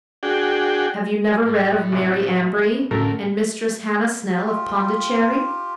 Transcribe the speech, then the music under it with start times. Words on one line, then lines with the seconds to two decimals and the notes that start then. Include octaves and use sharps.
Have you never read of Mary Ambree? and Mistress Hannah Snell of Pondicherry?
0.23 D4 F#4 G#4 G5
1.45 A2
1.92 C2
2.91 C2 A2 D3 A3 C#4 A4 A#4
4.45 F4 G4